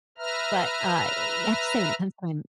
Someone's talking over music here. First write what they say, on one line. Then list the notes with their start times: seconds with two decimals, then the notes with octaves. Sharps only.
But, uh, you have to say when it comes to when
0.18 B4 E5 A#5 F6